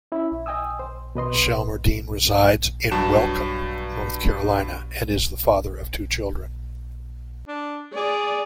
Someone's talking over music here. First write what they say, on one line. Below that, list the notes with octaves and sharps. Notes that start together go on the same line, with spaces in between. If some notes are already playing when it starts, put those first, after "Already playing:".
Shelmerdine resides in Welcome, North Carolina, and is the father of two children.
C#4 E4 E5
D#5 G5 G#5 D#6 E6
C5
B2 B4 D#5 C6
G2 F#3 A5 E7
D4
G#4 D5